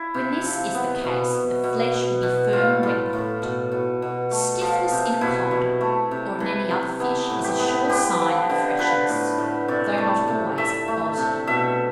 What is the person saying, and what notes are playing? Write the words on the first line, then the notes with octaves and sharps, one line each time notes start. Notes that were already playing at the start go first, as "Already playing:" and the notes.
When this is the case, the flesh will be firm when cooked. Stiffness in a cod, or in any other fish, is a sure sign of freshness, though not always of quality.
Already playing: E4
C3
F3
B3
B2
B2
B2
B2
B2
A2 F4
A2
A2
B2
B2
B2
A3
F3
C3
B2 E4
B2
A3
C3
E3
C3
B3 E4
A2
G4
B3
B3 G4
F3
D3
F3 B4
A2
A2
C3 D5
A3
C3
A3 E5
A3
C3
B2 E5